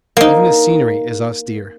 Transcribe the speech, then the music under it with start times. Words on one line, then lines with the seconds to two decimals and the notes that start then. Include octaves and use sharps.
Even the scenery is austere.
0.17 A#3 D#4